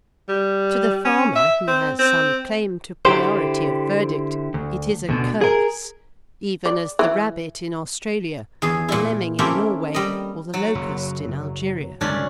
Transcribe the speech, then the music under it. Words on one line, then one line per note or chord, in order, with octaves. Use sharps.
To the farmer, who has some claim to priority of verdict, it is a curse, even as the rabbit in Australia, the lemming in Norway, or the locust in Algeria.
G3
C#4
E5
C4
C4
D3 E4 G4 C5
D2
D2 B2 D3
G#4 A#4
D5
E3
E2 G#4
A#2 E4
A#3 C4 C#4 E4 G4 A4
G3 D#5
F#3
F#1
G1 C#2 F#2 C#4 D4